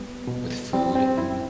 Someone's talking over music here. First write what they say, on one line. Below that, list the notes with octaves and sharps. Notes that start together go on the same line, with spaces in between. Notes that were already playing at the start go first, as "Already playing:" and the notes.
with food,
Already playing: G3 B3
B2
G3 C4
C4
F#2 E4